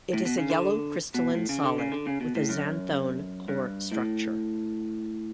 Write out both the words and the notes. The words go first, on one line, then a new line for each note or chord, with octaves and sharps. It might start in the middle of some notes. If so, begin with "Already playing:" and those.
It is a yellow crystalline solid with a xanthone core structure.
A2
B2
C#3
D3
B2
A2
C#3
D3
C#3
D3
C#3
B2
A2
F#2
G2
A2